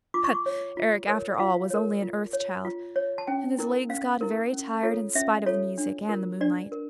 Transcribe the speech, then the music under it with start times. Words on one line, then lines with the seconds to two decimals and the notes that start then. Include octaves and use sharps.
But Eric, after all, was only an Earth Child, and his legs got very tired in spite of the music and the moonlight.
0.14 F4 D6
0.24 C#6
0.34 D6
0.46 C#5
0.77 F4
1.08 A#4 C#5
1.39 F4 F5
1.70 A#4 C#5
2.02 F4
2.33 C#5
2.65 F4
2.96 C#5
3.18 A5
3.27 C#4 G5
3.59 E4 A#4
3.89 C#4 F5
4.21 E4 A#4
4.53 C#4
4.83 F4 A4 C#5
5.15 C#4 E5
5.46 F4 A4 C#5
5.78 D4
6.09 F4 A#4
6.41 D4 D5
6.72 A#4